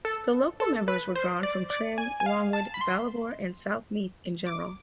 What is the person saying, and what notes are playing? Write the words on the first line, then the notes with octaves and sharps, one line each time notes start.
The local members were drawn from Trim, Longwood, Ballivor and South Meath in general.
A4
A4
B4
C5
D5
D5
G#5
G#5
F5
A5
B5
C6
D6